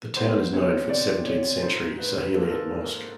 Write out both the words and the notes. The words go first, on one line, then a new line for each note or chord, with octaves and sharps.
The town is known for its seventeenth century Sahelian mosque.
B3 C5
C3 C#5
C3 D5
C3 C#5
G#2 C5
G#2 B4
A#3 A4
A#4
A4
G#2